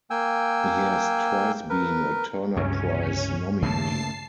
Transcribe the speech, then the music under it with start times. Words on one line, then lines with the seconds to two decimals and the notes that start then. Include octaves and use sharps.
He has twice been a Turner Prize nominee.
0.10 A#3 G5 G#5 E6
1.70 A#4 B4
2.56 C#2 G2 C3 F#3 C#4
3.62 C#3 A3 A#3 A5 C7